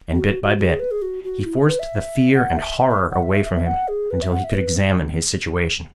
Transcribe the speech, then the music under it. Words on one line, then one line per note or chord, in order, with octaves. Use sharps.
And bit by bit, he forced the fear and horror away from him until he could examine his situation.
F#4
F#4
F#4
F#4
G#4
B4
G#4
F#4
F#4
E4
G#4
B4
E5
F#5
E5
E5
E5
F#5
E5
E5
E5
E5
F#5
G#4
B4
E5
F#5
E5
B4